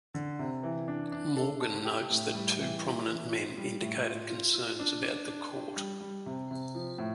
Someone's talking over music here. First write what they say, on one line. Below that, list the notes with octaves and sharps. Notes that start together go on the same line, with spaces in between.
Morgan notes that two prominent men indicated concerns about the Court.
D3
C3
E3
D4
D4
A4
A4
G4
A2
G3
E3
E4
E3
F4
G3
A2
F4
F4
F4
D4
D4
D4
G4
G3
G3
C3
C3
F3
A2